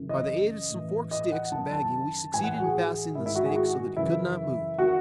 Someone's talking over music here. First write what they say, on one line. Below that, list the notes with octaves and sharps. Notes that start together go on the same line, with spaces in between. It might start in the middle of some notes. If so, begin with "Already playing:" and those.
By the aid of some forked sticks and bagging we succeeded in fastening the snake so that he could not move.
Already playing: F#2 C#3 E3
D#5
A2 E3
D#5
F#5
F#2 D#3 A5
A5
A2 E3 G#5
F#5
F#5
F#4
G#4
G#2 D#3 E4
E4
F#4
G#4
F#4
F#2 C#3 E3 E4
D#3 F#4